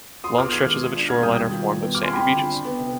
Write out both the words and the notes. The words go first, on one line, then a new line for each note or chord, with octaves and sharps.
Long stretches of its shoreline are formed of sandy beaches.
F4 C6 D#6
B3 D6 F6
D#3 F6 G#6
G#3
F4
D4
B2 F6 G#6
G3 D#6 G6
D#3
F4
D#3
B3
F4 D6 F6
G#5 C6
C4 G5 B5
D3 G5
F3
D4
B3
C3